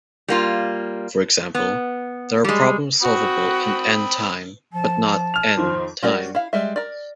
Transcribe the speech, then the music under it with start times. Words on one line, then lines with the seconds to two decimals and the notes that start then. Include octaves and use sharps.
For example, there are problems solvable in "n" time but not "n" time.
0.28 G3 A#3 F4
1.55 B3
2.44 G3 G#3
3.02 C4 F#4 B5 D#6
4.73 F3 A5
5.34 F6 F7
5.57 F2 D#3 F3 C5
6.03 G3 C#4 F#4 A#4 D5
6.35 E4 F5
6.53 G3 G#3 E5
6.76 A#4 D5